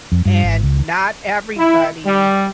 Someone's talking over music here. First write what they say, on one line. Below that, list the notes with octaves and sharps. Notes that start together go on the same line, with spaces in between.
and not everybody
F2
G2
G#1
C#2
E4
G3